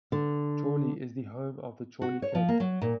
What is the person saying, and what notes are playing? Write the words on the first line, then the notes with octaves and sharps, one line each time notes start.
Chorley is the home of the Chorley cake.
D3
F#4
C#5
F3
A#3
F#3
A#2